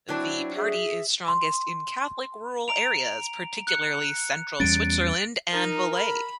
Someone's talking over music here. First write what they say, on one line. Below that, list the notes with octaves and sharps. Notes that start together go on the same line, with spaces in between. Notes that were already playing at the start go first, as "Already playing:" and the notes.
The party is strongest in Catholic rural areas, particularly Central Switzerland and Valais.
F#3 C4 D4 E4
G#4 E5
C6
A#5 D7 F7
F#6 C#7
E2 G3 C#4 A6 D7
D#4 A#4
B5